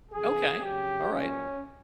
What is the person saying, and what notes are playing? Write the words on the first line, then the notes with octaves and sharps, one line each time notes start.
Okay. Alright.
F2 C3 E3 G#4
F2 C#3 F#3 G4
A#2 F#3 C#4